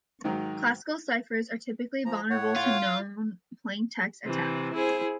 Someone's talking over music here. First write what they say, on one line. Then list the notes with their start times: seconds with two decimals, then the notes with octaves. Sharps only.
Classical ciphers are typically vulnerable to known-plaintext attack.
0.24 G#2 D#3 F#3
2.05 F3 A#5
2.30 A2 C#5 F#5
2.56 F4
4.25 C3 E3
4.73 E4 G#4 C5